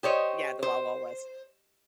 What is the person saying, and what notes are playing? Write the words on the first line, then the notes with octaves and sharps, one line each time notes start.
Yeah, the Wild Wild West.
G4 C5 C#5 D#5
C5